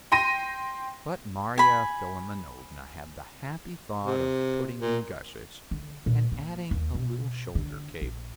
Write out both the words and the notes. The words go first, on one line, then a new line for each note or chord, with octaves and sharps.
But Marya Philimonovna had the happy thought of putting in gussets, and adding a little shoulder-cape.
G5 C6 A#6 D#7
G#5 B5
C3
A#2
D3
A#2
A#3
D#2
B2
D3
A#1